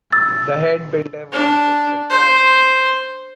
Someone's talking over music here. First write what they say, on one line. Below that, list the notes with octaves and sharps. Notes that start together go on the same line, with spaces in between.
The head builder was Richard Marrone.
E6 A6
D4
C5